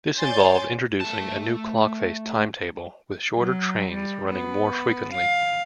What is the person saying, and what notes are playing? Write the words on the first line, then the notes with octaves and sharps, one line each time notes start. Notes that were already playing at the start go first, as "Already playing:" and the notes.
This involved introducing a new clockface timetable with shorter trains running more frequently.
C#5 D5 G#5 C6 G6 A6
A3 A5
F#3
G3
B3
F5